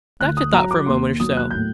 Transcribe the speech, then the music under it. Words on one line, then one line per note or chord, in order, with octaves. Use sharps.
The doctor thought for a moment or so.
D2 F#6
D#6
F#3 A#5
D6
D#2 C6
F#3 D#6
F#6
A2 G6